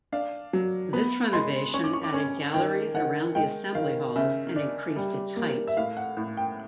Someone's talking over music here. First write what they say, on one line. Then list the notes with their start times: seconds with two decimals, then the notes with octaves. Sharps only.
This renovation added galleries around the assembly hall and increased its height.
0.12 D4 F5
0.53 F#3
0.93 B3 B5
1.33 G#3 C6
1.74 C#4 C#6
1.84 D6
1.93 C#6
2.04 D6
2.14 C#4 C#6
2.54 D#3 G5
2.94 D#3 F#5
3.35 G#3 G5
3.75 D#3 F5
4.16 C#3 E5
4.56 D4
4.96 G3
5.36 A#3
5.67 E5
5.77 A2 F5
5.97 F#5
6.17 A2
6.37 G5